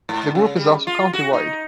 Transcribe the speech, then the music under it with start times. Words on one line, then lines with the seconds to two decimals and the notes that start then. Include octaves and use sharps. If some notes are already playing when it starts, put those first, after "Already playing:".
The group is also countywide.
0.09 G#2
0.35 C#3
0.56 G3
0.87 F4
1.13 F#4
1.33 D#4